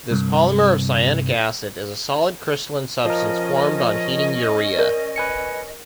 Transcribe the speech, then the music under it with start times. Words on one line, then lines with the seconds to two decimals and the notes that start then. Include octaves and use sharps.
This polymer of cyanic acid is a solid crystalline substance formed on heating urea.
0.11 C2 G2
3.05 F3 C#4 A#4 D#5
4.79 A#4 D5
5.16 B4 G#5 C#7